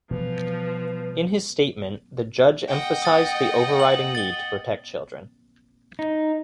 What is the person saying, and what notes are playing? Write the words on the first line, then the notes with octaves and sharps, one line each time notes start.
In his statement, the judge emphasised the overriding need to protect children.
B2 E3 F3 G3 B4
D#5 F#5 G5
D#6 A6
F#7
A6 G7
D#4